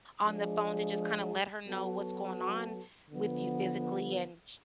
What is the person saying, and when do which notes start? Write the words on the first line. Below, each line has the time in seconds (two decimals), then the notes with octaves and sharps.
on the phone, to just kinda let her know what's going on with you physically and ch
0.23 F3 G#3 D4 G#4
1.66 F#3 B3 F#4 A4
3.10 D3 F3 B3